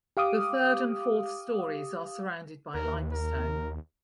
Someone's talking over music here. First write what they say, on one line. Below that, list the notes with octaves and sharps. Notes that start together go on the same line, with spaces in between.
The third and fourth stories are surrounded by limestone.
G4 F5 D6 D#6
D#2 A#4
A#4